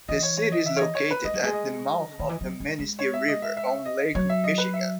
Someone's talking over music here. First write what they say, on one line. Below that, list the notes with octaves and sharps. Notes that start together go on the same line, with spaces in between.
The city is located at the mouth of the Manistee River on Lake Michigan.
E3 D#5
C#5
C#5
D#5
E5
C#5
D#5
C#5
B4
G#3 D#5
F#3
G#3
D#5
C#3
D#3
E3
F#3
G#3
G#3
C#5
E5
D#5
E5
E5
D#5
F#3 C#5
E5
D#5
B4
E5